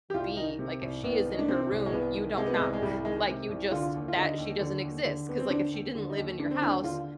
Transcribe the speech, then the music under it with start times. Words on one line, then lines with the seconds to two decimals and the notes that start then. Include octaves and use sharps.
be like, if she is in her room, you don't knock, like, you just that she doesn't exist. 'Cause, like, if she didn't live in your house,
0.10 G4
0.14 C2 F4
0.37 D#3 D#4
0.59 C3
0.81 C2
1.03 C2 B3
1.26 D#3 D#4
1.39 D4
1.48 C3 C4
1.71 C2
1.86 G#3
1.92 C2 B3
2.15 D#3
2.37 C3 G#3
2.46 B3
2.54 G#3
2.61 C2
2.73 G#3
2.82 C2 G3
3.05 D#3 G#3
3.27 C3
3.49 C2
3.71 D3 F4
3.94 D#2
4.08 F4
4.16 D3 D#4
4.38 D#2
4.61 D3
4.83 D#2
5.05 D3
5.28 D#2 B3
5.39 C4
5.50 D3 D4
5.72 D#2
5.95 D3
6.10 D#4
6.18 D#2
6.39 D3 D4
6.51 C4
6.62 D#2 D4
6.84 D3 F4